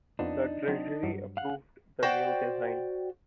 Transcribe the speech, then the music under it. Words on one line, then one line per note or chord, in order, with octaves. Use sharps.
The Treasury approved the new design.
F2 F3 B3 D4 D#4
F#3 C4
G2 F#3
F5 F#5
F#4 C5 D5 G5